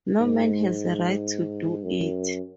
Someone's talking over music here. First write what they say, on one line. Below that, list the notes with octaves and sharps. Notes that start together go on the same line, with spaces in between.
No man has a right to do it.
G#2
F#2